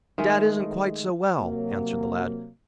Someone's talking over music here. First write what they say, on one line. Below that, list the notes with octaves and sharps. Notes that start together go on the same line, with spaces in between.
"Dad isn't quite so well," answered the lad.
D#3 G#3 A3
C3 F#3 A#3